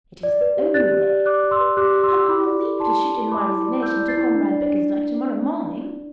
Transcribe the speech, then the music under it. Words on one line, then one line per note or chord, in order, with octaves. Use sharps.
It is the only way. Have I your leave to shoot in my resignation to Comrade Bickersdyke tomorrow morning?'
D5
B4
G4
D5 F#6 A6
G4
D5
D5 D6 F#6
G4
C6 E6
B4
G4 D6 F#6
G4
C6 E6
G4
E6
E4 B5 D6
D5
A4
E4 A5 C6
E4
E4
E4 B5 D6
E4
D5
E4 E6 G6
D5
A6 C7
E4
D4
D5
D4